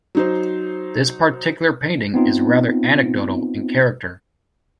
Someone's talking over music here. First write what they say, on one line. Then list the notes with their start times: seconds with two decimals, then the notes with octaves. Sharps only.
This particular painting is rather anecdotal in character.
0.15 F#3 D#4 C5
2.14 B3 C4 D#4 F4